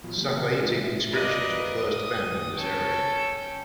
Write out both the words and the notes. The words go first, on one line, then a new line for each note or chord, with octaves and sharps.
Safaitic inscriptions were first found in this area.
A#2 E3 F#3 B3 F4
C#3 E3 F#3 A#3 G4
F#5
E3 G3 G#3 D#4 G#4 A4
A#4 B4 E5
A#4 B4 D5 D#5 F5
D#6
C#4 A4 G5